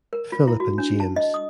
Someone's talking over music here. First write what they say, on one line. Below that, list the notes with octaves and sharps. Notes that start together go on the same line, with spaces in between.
Philip and James.
A#4
F4
E4
F#4
D4
A5
D#5
D#6